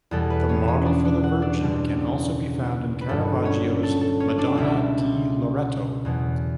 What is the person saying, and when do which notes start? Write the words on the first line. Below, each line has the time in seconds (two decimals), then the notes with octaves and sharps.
The model for the Virgin can also be found in Caravaggio's "Madonna di Loreto".
0.11 E2 B2 G3 A4
0.30 B4
0.49 C#4 C#5
0.68 C#4 C#5
0.85 D4 D5
1.05 D4 D5
1.23 F#4 F#5
1.42 D4 D5
1.61 C#2 B2 G3
3.01 B4
3.09 G1 G2 F#3 A4
3.45 C#4 C#5
3.83 A4
4.01 A4
4.20 C#4 C#5
4.38 D4 D5
4.55 C#2 B2 G3 E4 E5
6.05 E2 B2 F#3